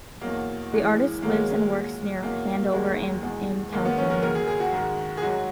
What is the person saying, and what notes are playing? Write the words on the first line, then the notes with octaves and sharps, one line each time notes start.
The artist lives and works near Hanover and in California.
E2 B2 F#3 A#3
F#2 E3 G#3
D#2 D#3 F#3 A#3
G#3
G#3
A#2 F#3
E2 B2 F#3 A#3
A#3
D#2 D#3 F#3 G#3
E2 B2 G#3
G#2 D#3 F#3 A#3
B3
C#4
A#4
D#2 C#3 F#3 A#4
G#4
G#4
F#4
G#2 D#3 G#3
G#4
G#2 F#3 F#4